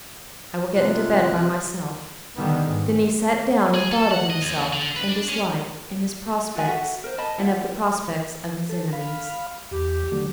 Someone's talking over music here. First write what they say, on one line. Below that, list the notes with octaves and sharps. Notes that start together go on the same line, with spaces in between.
"I will get into bed by myself." Then he sat down and thought of himself, and his life, and his prospects,--and of the prospects of his enemies.
C3 G#3 F4 F#6
D3 D#3 G3 B3
G#2
G#4
A4
F#5
D#5
D#2
D3
B4
D4
C#4
F4 F#4 D5 G#5
F#4 A4 E5 F#5
A#4 C5
D#5 A5 B5
E4 F4 F#5
A4
F5 B5
E2 G4
D3 F#3 A3